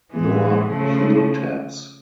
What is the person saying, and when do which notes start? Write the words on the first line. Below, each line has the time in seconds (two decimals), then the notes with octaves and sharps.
Nor Heel Taps.
0.13 A2 E3 G#3
0.69 C#3 F3 A3